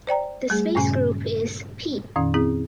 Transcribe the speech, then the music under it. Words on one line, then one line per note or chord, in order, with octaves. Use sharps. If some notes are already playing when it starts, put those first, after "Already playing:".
The space group is "P".
C5 D5 G5 A#5
G3 A3 G#4
G2 A#2 C#3 C#4 G#5
F2 A#2 D#3 C#4
C4 E4 G#4